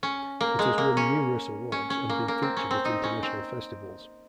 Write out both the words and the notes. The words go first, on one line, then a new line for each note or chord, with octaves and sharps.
It has won numerous awards and been featured at international festivals.
C#4
A#3
G#3
A#3
C#4
C#4
C#4
A#3
A#3
C4
C#4
C4
D#4
C#4
C4